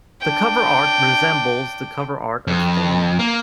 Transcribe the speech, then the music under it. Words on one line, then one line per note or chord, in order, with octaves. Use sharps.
The cover art resembles the cover art of "Fame".
D4 G5
F2
A#3